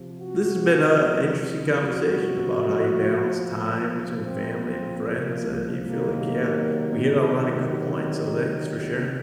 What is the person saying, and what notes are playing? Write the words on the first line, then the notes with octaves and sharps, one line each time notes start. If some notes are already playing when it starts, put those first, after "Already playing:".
this has been a interesting conversation about how you balance time between family and friends. Uh, you feel like yeah, we hit on a lot of good points, so thanks for sharing.
Already playing: C3 F3
F#4
F#4
A#2 F3
C4
C4
A#3
C3 D#3 F#3 A#3